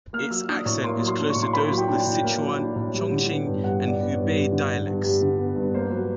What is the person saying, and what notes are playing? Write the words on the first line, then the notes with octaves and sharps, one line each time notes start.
Its accent is close to those of the Sichuan, Chongqing, and Hubei dialects.
A#3 F6
F#3 E6
D4 D#6
A2 C#6
A#3 C6
F#3
C6
D4
C#6
A2
C6
A#3 B5
F#3
G5
D4
G5
A2
A#3
F#3
D4
A2
G3
D3
B3
G2
G3 F#5
D3
D5
B3
C#5
G2
G3
D3
B3
G2
G3
D3
B3
G2
A#3 C5
F#3 B4